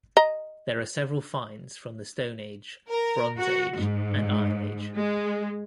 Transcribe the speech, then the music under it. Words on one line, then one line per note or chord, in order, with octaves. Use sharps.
There are several finds from the Stone Age, Bronze Age and Iron Age.
D#5 A#5
A#4
F#4
G#2
G#3